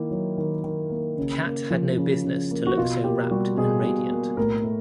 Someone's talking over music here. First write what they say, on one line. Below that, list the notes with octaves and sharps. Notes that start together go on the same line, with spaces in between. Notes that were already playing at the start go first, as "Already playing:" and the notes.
Kat had no business to look so rapt and radiant.
Already playing: D#3 A#3 E4
F#3
D#3
D#3
A#3
C#3
A#3
F3
C#3
C#3
A#3
F#4
B2 F4
A#3 G4
G3 F#4
B2 G#4
B2
A#3
A2 A#4
A3